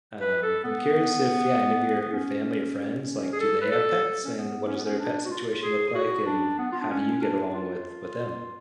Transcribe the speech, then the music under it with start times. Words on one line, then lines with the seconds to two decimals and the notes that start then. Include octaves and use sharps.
um, I'm curious if yeah, any of your your family or friends, like, do they have pets, and what does their pet situation look like, and how do you get along with with them?
0.21 B4
0.42 A4
0.64 B3
2.01 B3
2.12 C#4
3.32 G#4
3.40 A4
3.61 B4
3.71 A4
4.24 C#4
4.36 B3
4.67 C#4
4.76 B3
4.85 C#4
4.99 D4
5.25 F#4
5.31 F4
5.63 G#4
5.89 G#4
5.95 F#4
6.26 D4
6.59 B3
6.72 F4
6.81 D4
6.91 C#4
7.22 D4
7.55 F4